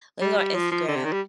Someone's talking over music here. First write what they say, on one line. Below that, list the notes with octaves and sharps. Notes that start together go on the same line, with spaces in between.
Lemme go on Instagram."
G3
G3
F3
F3
D3
C3
D#3
G3